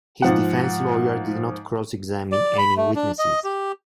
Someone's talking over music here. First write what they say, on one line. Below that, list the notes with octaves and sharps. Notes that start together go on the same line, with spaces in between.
His defense lawyer did not cross-examine any witnesses.
G#2 F3 F#5
D5
B5
A3
D4
D#5
G4